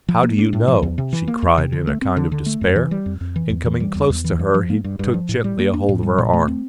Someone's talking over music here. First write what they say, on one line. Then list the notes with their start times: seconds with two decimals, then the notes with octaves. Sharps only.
"How do you know?" she cried in a kind of despair, and coming close to her he took gently hold of her arm.
0.09 F3
0.23 A#3
0.38 D4
0.53 A2
0.68 F3
0.83 E2
0.98 C3
1.13 E3
1.28 A#3
1.42 E2
1.58 C3
1.73 D3
1.87 A3
2.02 C4
2.17 D3
2.32 D3
2.46 A3
2.61 F2
2.76 E3
2.91 G3
3.06 F2
3.21 F2
3.36 E3
3.50 E2
3.66 E3
3.80 G3
3.95 E2
4.10 E2
4.24 E3
4.39 G2
4.54 F3
4.70 A#3
4.84 G2
4.99 G2
5.14 F3
5.29 A2
5.44 G3
5.59 A#3
5.74 D4
5.89 A2
6.03 G3
6.18 A#2
6.33 A3
6.48 C4